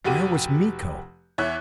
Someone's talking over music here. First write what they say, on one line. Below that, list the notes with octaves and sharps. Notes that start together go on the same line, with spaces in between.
Where was Miko?
F1 F#4 G4 D#7
E2 C#5 E5 F#6